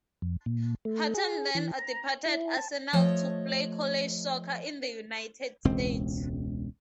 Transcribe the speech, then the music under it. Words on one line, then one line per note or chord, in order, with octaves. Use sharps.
Patten then departed Arsenal to play college soccer in the United States.
F2
A#2
A3
G#4
E3
A#5
E4
A5
F3 A3 C#5 D#5
E1 C#2 C4